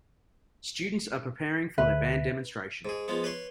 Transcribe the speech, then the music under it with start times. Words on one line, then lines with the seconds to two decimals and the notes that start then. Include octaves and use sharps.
Students are preparing for their band demonstration.
1.78 D2 B4 E5
2.85 G#2 G#4
3.08 F3 G#3 B3
3.24 B4 C#5 C6